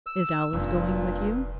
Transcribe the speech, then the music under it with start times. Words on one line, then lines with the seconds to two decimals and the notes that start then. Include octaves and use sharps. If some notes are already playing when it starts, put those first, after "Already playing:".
'Is Alice going with you?'
0.06 E6
0.53 F1 G2 A#2